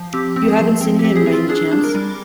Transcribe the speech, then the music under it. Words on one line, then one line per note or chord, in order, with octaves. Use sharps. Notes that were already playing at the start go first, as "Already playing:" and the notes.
You haven't seen him, by any chance?
Already playing: F3
C4 G4
C4
G#4
F3
C4
G4
C4
G#4
C4
F4
D4 G#4
D4
A#4
G3